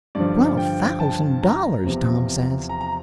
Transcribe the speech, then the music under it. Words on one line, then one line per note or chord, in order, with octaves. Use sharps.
"Twelve-thousand-dollars!" Tom says.
G2 D3 F3 D5
G5
A5
A#5
E2 C3 F3
A#5
A#5